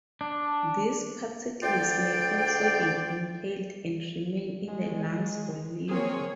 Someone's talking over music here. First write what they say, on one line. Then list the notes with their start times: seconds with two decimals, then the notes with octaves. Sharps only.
These particles may also be inhaled and remain in the lungs or liver.
0.21 D4
1.63 D2 F4 D5 G5
4.68 G#3
5.91 A#3 C4 G#4 C#5